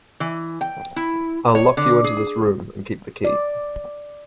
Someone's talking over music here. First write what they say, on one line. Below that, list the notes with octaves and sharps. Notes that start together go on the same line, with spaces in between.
I’ll lock you into this room and keep the key.
E3
G5
E4
C#5
D3
G#4
D5